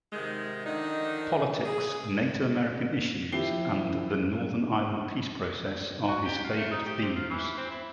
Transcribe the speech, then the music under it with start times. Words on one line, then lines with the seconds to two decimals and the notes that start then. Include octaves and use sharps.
Politics, Native American issues and the Northern Ireland peace process are his favored themes.
0.13 G#2 C3 D#3 G#3
0.66 D3 D#3 F3 D4 D#4
1.65 G#4
3.32 F3 E4 G4 C7 G7
6.08 F#4
6.25 G4
6.44 F4
6.57 A3
6.71 D#4
6.86 G4
7.02 C3
7.16 F4
7.30 E3
7.58 C4
7.70 E4